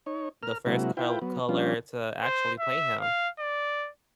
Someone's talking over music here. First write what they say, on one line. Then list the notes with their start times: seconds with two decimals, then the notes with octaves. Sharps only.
the first col color to actually play him.
0.06 D#4 C#5
0.43 A#4 F6
0.66 C3 F#3 G#3 A#3 E4 F#4
0.97 E4 F4 B4 G5
1.22 F#3 B3
1.49 F3 G3 C#4 D4 F4
2.23 C5
2.59 E5
3.01 F5
3.39 D5